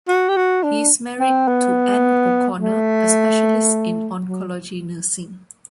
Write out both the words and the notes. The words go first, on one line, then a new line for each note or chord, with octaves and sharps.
He is married to Anne O'Connor, a specialist in oncology nursing.
F#4
G4
F#4
D4
C4
B3
A3
F#3